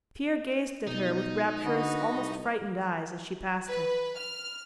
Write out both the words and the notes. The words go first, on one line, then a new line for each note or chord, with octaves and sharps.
Pierre gazed at her with rapturous, almost frightened, eyes as she passed him.
B2 D#4
D3 B3 F#4 D#5
C2
B4
F6